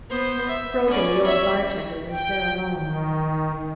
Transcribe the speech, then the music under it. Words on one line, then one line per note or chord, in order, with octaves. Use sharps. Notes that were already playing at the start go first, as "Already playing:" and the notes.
Grogan, the old bartender was there alone.
B3 C5
E5
C#4 D5
C#5 E5
G5
D#3